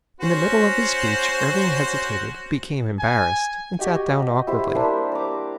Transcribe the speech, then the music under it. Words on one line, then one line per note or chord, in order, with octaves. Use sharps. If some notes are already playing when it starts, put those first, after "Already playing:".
In the middle of his speech Irving hesitated, became embarrassed, and sat down awkwardly.
C#4 F#4 C5
G#5
F#4 G4 D#5 G5
E4 G4 C5
G3 A#3 D4 C5
C5 A#5 D6